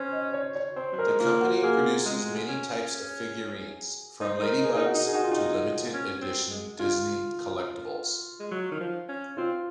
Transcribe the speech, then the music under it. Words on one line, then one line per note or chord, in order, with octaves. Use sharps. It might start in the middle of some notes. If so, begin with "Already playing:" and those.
The company produces many types of figurines from ladybugs to limited-edition Disney collectibles.
Already playing: C#4 C5
D#5
C#5
C#5
C4 C5
F#3 C5
A#4
G#3
A#3 F4
F#4
A#3 G#4
G#3
C#4
D#4 C5
D#4 A#4
D#4
G#4
D#4
F#4
D#4
G#4
D#4 F#4
F4
D#4 F#4
C#4
C4
G#3
F4
G#3
F#3
D#3
F3
C#4
C4 F4